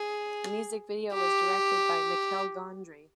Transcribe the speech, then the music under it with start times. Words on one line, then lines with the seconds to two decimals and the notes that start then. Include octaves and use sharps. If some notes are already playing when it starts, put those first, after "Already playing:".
The music video was directed by Michel Gondry.
Already playing: G#4
1.13 G4